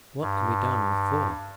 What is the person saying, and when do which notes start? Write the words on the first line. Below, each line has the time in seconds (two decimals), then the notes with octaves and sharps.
"What can be done with four?"
0.21 G2